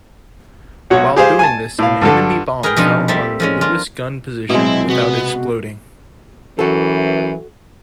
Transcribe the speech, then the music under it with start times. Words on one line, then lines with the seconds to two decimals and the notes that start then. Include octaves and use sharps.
While doing this an enemy bomb fell on the Lewis gun position without exploding.
0.90 B1 F#4 C#5
1.16 G4 G#4 C5 F5
1.39 G#5 A5
1.79 A2 F5
2.01 G2 D3 A4
2.63 G#4 A#4 B4 F5 G5
2.76 B2 F3 C4 D4 D#4 F4
3.08 G3 A#3 C4 A4 E5 A5
3.40 F3 G#3 C#4
3.61 D4 F4 A#4
4.50 B2 F#3 G#3 B3 C4 E4
4.90 C3 B3 F#4
6.59 F#2 E3 F#4 A4